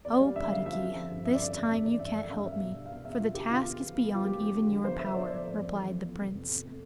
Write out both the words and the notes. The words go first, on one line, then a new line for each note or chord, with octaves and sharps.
'Oh, Puddocky, this time you can't help me, for the task is beyond even your power,' replied the Prince.
E2 D5
G3 F5
D3 E5
D3 F5
F3 E5
C4
C4
G2
F2 E5
D5
D3 E5
F2
F2
E3 D5
G2 E5
A3 E5
G2 F5
D4 E5
B2
D4
F5
B2
E2 E5
E2 F4
D3 G4
D3 F4
B3
F3
B3
F3 F4
F3 G4
F3
D3
D3
B3 C5
F3 E5
D4 D5
F3 D5
A3
F2
E3
F2
B3
C3
F2
F2
A3